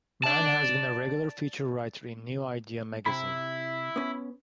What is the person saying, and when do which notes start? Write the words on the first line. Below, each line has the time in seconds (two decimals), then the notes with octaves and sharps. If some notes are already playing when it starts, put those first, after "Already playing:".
Mann has been a regular feature writer in "New Idea" magazine.
0.24 D5 A5
3.06 C3 E4 B5
3.96 B3 C#4